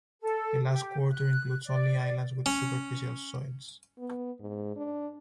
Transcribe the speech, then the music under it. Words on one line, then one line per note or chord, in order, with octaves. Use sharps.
The last quarter includes only islands with Superficial soils.
A4
G4
F#6
D5
C#4
B3
G#2
D4